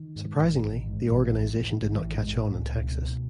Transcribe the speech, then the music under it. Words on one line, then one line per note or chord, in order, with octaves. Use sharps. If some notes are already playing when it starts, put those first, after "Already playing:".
Surprisingly, the organization did not catch on in Texas.
Already playing: D#3
G#2
A1
A1
G#2
A1 E3
A2
A2
A1 D#3
E3
A1
G#3
A2
A3
C#2 A3
B2
B2